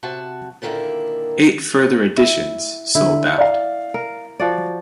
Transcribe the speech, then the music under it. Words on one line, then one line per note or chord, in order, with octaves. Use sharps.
Eight further editions sold out.
C3 F#4 A5
A#2 D3 D#3 A3 A#3 E4
E4
D3 E4
D5 F5
A#4
F3 F#4 D5